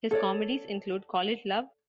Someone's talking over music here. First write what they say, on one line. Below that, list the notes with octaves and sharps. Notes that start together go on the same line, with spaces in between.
His comedies include Call It Love?
A4 C#5 D5